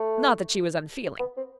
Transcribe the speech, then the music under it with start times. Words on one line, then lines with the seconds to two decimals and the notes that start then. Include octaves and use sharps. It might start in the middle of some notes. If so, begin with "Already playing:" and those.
Not that she was unfeeling.
Already playing: A3
1.19 B3
1.37 C4